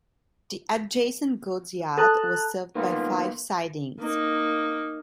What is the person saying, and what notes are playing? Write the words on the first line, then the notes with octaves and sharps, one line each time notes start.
The adjacent goods yard was served by five sidings.
A4 A5 A#5 F#6
D#3 A#3 B3 F4
A#3 D#4